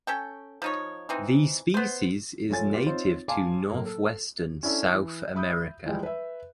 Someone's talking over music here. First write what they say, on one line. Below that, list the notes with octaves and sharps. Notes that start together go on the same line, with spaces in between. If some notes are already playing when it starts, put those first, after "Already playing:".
The species is native to northwestern South America.
C#4 A4 G5
F3 D#4 C#5
E3 C4 D#4
B3 C5
F1 A3 F4 C#5 G#5 A6
B3 F4 G4
C4 D#4 F4 C5 C#5
F5 G#5 A5 C6 D6
A2 F#3 A#3
A4
C#4 D4 E4 A4
E3
E5 B5 D#6 G6
E3 F3 G3 G#3
B4 E5